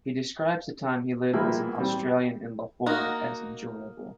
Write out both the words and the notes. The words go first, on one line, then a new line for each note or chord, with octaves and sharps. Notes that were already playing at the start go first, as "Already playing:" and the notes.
He describes the time he lived as an Australian in Lahore as enjoyable.
E3 F3 G3 G#3 A#3 E4
G3 C4
A#3 D#4 F#4